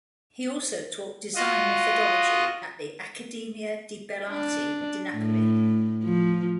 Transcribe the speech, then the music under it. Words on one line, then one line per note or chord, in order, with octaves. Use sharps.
He also taught design methodology at the Accademia di Belle Arti di Napoli.
F4 F#4 D#5
D4
A2
F3